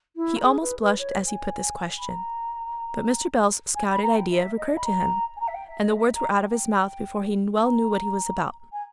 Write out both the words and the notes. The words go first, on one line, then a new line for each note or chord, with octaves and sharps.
He almost blushed as he put this question; but Mr. Bell's scouted idea recurred to him, and the words were out of his mouth before he well knew what he was about.
E4
A#4
G#4
B4
B4
C#5
G#5
B5
A#5
G#5
B5
A#5
G5
E5
D#5
B5
A#5
G#5
A#5
E5
G5
E5
D#5
E5
A#5
G5
G5
A#5
G#5